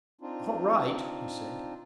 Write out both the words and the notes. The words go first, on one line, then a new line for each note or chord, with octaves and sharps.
"All right," he said.
C4 D4 D#4 F4